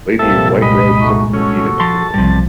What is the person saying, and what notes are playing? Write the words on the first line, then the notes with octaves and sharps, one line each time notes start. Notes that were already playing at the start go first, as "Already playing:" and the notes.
Lady in white robe soaking her feet in a pool.
C2 F#2 A#2 G3 A#3 C4 A4 E5
G#3 D#5 B5
A3 D#4 F#4
C#4 F#4 A4
F3 A5 C6
B1 G2 C3 F3 G3